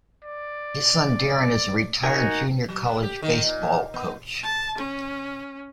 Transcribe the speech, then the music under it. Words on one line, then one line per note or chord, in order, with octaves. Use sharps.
His son Darren is a retired junior college baseball coach.
D5
D#4 F#4 A#4 G#5
F#3
A#3
G4
D#3
A#2
B3
A5
C#4